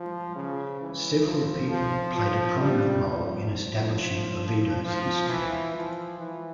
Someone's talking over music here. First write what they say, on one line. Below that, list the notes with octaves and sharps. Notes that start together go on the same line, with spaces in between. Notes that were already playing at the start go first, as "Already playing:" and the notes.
Several people played a prominent role in establishing Oviedo's history.
Already playing: F3
C#3
E3
F3
F3
F3
G3
F3
F3
F3
E3
F3
E3